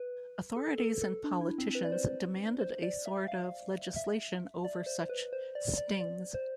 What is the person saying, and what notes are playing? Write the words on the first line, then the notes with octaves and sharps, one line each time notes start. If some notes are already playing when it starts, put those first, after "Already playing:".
Authorities and politicians demanded a sort of legislation over such "stings".
Already playing: B4
A4
A4
A4
D4
E4
C4
B4
D5
C5
C5
D5
E5
F5
E5
D5
C5
B4
C5
D5
D5
D5
C5